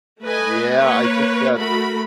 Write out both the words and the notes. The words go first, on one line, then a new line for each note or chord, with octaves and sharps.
Yeah, I think that, uh
A3 B4 D#5 G#5
A#3 B4 C#5
A3 F#4 A#4 B5